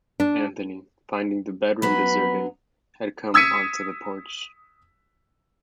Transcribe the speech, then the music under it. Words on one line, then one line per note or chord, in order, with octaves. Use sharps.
Anthony, finding the bedroom deserted, had come onto the porch.
D4
F#3 B3 B5
D#6 E6 G#6 B6 C#7 D#7